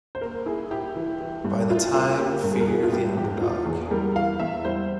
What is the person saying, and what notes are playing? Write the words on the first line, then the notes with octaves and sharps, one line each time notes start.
By the time fear the underdog.
C5
A#3 A#4
E4 G#4
E4 G4
E3
E3
G2
E4 F4
A#3 F4
A#3 G4
G2 A#4
G#4
A#4
E3 G#4
F4
G2 G4
E2 G4
E3 F4
E2 G#4
G#4
G3 A#4
E3 F5
E2 E5
G3 C5